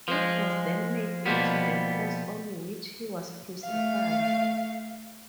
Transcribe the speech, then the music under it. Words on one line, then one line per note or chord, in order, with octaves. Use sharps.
It was then made into the cross on which he was crucified.
F3 G#3
B2 F3 G3 A#3 B3
A3 F5